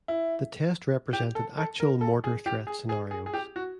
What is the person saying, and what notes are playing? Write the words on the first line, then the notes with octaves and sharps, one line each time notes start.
The test represented actual mortar threat scenarios.
E4
G4
A4
A4
A#4
A4
G#4
G4
G#4
G#4
G#4
G#4
G4
F#4